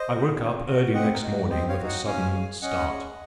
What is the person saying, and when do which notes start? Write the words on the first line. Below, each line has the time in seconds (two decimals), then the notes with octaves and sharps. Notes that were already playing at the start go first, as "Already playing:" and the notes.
I woke up early next morning with a sudden start.
Already playing: C5 D#5
0.10 F#4
0.38 C4
0.66 F#4
0.94 C4 D#5 F#5
1.13 A#4
1.22 D#4 F#4
1.50 C4 C5 D#5
1.69 C#5 F5
1.78 D#4 F#4
1.88 D#5 F#5
2.06 C#4 F5 G#5
2.34 G#4
2.62 C#4 D#5 F#5
2.90 G#4